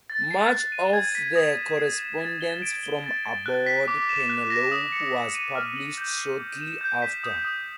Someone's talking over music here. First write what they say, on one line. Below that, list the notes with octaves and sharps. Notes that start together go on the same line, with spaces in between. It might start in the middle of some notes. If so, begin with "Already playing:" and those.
Much of the correspondence from aboard "Penelope" was published shortly after.
A6
C7
F#6
D#7
G#6
B6
D#6
E7
C7
E7
A6
G7
D7
G7
A6
A6
F#6
B6
D6
E7
F#6
A#6
D#6
C#7
A#6
D#7
F6
F#7
G6
C7
D6
E7
G6
B6
D#6
D#6